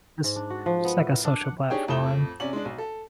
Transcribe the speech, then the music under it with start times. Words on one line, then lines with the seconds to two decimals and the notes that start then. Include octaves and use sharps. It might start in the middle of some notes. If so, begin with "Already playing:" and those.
just just, like a social platform,
0.24 G#2
0.36 D4
0.50 F#4
0.66 F3
0.85 B3
0.97 A2
1.12 A#4
1.25 D4
1.41 F#5
1.70 D4 D#4 G4 G#4 C#5 G5
1.88 F2 A2 A4 D#6 E7 G7
2.40 C3 C#4 D5 F#7
2.53 G#3 D4
2.65 B1
2.78 A4